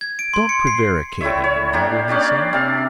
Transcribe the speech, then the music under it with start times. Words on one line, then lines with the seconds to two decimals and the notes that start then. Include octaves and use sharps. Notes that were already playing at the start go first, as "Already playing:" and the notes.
"Don't prevaricate any longer," he said.
0.01 G#6
0.19 D7
0.34 C6
0.49 C#7
0.67 C7
1.21 A2 E4 C#5 E5
1.44 C#5
1.73 A#3 D4 G4
2.08 C#4 D4 D5 G5
2.53 C3 F5